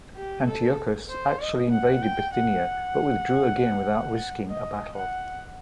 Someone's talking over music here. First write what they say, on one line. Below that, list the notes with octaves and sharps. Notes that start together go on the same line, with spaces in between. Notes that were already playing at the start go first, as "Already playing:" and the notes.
Antiochus actually invaded Bithynia but withdrew again without risking a battle.
G4
A4
C5
D#5
F#5
G5
F#5
D#5
F#5